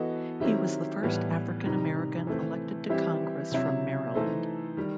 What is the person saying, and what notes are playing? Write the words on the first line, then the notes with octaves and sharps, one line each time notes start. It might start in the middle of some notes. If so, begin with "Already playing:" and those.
He was the first African American elected to Congress from Maryland.
Already playing: E3 B3 F#4 A4 D#5
D#3 F#3 C4 E4 G4
A2 E3 G3 B3
C3 D#3 G3 D#4
E3 A3 C4
E3 G3 C4 E4 G4
C3 F#3 C4 E4
E3 A3 D#4 A4 C5
D#3 G3